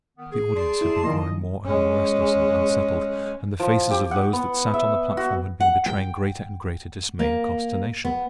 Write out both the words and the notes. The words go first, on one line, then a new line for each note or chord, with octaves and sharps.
The audience had been growing more and more restless and unsettled, and the faces of those that sat on the platform had been betraying greater and greater dismay and consternation.
D#3 B3
G#4
D5 A5 C6
E4
D#3 F3 A#3 D#5
G#3 C#4
F3
G4
F#5
B3
E5
F#4
F#5
G5
A#3
B3